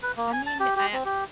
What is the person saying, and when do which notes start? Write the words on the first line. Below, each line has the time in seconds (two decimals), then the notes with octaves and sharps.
I mean, I
0.03 B4
0.17 A#3
0.33 G#5
0.46 A5
0.60 G4
0.76 G4
0.93 C4
1.05 G4